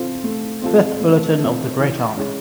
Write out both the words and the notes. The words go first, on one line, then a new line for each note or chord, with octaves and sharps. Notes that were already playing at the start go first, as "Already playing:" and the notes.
Fifth bulletin of the Great Army.
Already playing: C4 F4 A4
A3
C4 F4 A4
A3
C4 F4 A4
E3
G#3 C#4